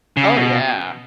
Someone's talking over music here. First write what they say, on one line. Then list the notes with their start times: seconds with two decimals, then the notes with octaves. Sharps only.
Oh, yeah.
0.17 C#3
0.37 B2